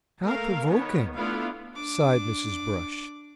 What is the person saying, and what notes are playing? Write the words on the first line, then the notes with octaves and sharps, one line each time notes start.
"How provoking!" sighed Mrs. Brush.
A3 A#3 A#4 F5
D#3 B3 C#5
A3 B3 D4 E4 F4 F5
D4 D6